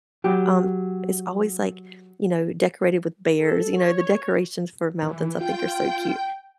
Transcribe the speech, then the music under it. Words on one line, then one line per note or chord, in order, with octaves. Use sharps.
um, it's always, like, you know, decorated with bears, you know, the decorations for mountains, I think, are so cute,
F#3 G4
A4
C#5
E3
F4 G5